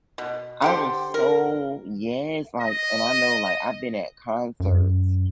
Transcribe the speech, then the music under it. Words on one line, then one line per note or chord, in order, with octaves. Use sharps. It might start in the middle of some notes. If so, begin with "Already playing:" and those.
I was so, yes, like, and I know, like, I've been at concerts
B2
D3 G4 C5
A#4
D#5
F#2